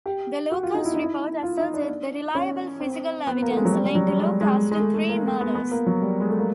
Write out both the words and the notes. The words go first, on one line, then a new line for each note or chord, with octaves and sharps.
The "Lucas Report" asserted that reliable physical evidence linked Lucas to three murders.
G4
F#4
F4
D#4
E4
D#4
E4
F4
D#4
D4
C#4
C4
B3
A#3
A3
G#3
F#3
G3
G3
F#3
G3
G#3
G#3
G#3
A3
A3
A#3
A3
B3
B3
A#3
F#3
G3
G#3
A3
A#3